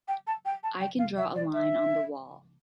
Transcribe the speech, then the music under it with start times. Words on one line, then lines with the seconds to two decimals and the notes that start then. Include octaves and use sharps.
I can draw a line on the wall.
0.08 G5
0.27 A5
0.45 G5
0.63 A5
0.80 G5
0.99 F5
1.18 E5
1.35 D5
1.54 E5